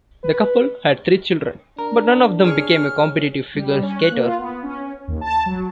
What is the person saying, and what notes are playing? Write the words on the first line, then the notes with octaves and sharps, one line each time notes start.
The couple had three children, but none of them became a competitive figure skater.
B4
D4 A#4
G#4 C#5 F6
G3
C#4
F#6
A#3
F4
B3
C#4
D#2
A5
F#3